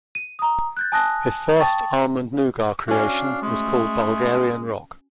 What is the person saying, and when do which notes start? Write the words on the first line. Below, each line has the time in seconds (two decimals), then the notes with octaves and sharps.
His first almond noughat creation was called Bulgarian Rock.
0.15 D#7
0.39 A#5 D#6
0.77 F#6 G6 A6
0.92 G#5 A5 D#6 F#6 A#6
1.60 G5 A5 C#6 D#6 A6
2.88 C#4 D4 F#4 F5
3.42 G#3 A3